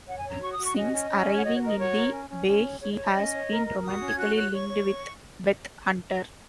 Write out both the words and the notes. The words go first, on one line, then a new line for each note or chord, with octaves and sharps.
Since arriving in the bay he has been romantically linked with Beth Hunter.
C#5 F#5
G#5
C#5
A#5
F#4 C#6
D#6
F#4 C#6
C#4 D#5
C#4
C#4
C#5
F#5
F#4 D#5
C#5
A#4
D#5
F#4 C#5
A#4
C#4
C#4
C#4
C#5
G#4 C#5
D#5
C#5
D#5
C#4
C#5
A#4
A#4
F#4 D#6
C#4
G#6
F#4 F#6
C#5 F#6
C#5 C#6
C#5
C#5